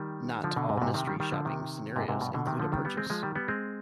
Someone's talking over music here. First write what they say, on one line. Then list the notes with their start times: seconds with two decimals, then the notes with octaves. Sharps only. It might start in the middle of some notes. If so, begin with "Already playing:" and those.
Not all mystery shopping scenarios include a purchase.
Already playing: D#3 G3
0.44 D3 F3
0.56 B2 D3
0.69 G#2 C3
0.78 B2
0.82 G#2 C3
0.94 C3 D#3
1.07 D#3 G3
1.20 D#3 G3
1.32 D3 F3
1.45 C3 D#3
1.96 G#2 C3
2.08 G#2 C3
2.21 G2 B2
2.34 B2 D3
2.47 C3 D#3
2.60 D3 F3
2.72 D#3 G3
2.85 G3 B3
2.97 G#3 C4
3.10 F3 G#3
3.23 D#3 G3
3.36 G3 B3
3.48 G#3 C4